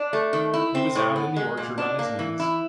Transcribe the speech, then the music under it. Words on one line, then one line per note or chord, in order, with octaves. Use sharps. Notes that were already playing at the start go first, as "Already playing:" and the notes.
He was out in the orchard on his knees.
Already playing: D4
A3
D#3
E4
C4
A2
B3
G#3
A#2
D4
A#3
E3
E4